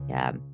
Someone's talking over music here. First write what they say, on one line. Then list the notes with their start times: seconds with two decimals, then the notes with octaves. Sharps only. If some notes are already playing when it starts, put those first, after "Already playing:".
Yeah, m
Already playing: C#2 C#3